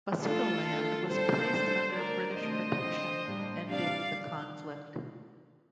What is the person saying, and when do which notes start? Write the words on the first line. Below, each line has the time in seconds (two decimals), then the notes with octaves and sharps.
Basutoland was placed under British protection, ending the conflict.
0.21 D#3 A3 D4 F4 A4
0.66 D#3 A3 D4
1.08 D3 G3 C4 A4 C5
1.52 D3 G3 D4
1.95 D3 A3 D4 A#4 D5
2.38 C3 D#3 A3 D4 C5 D#5
2.82 D3 F3 C4
3.25 A2 G3 A#3 D4
3.68 C3 G3 D4 D5 F5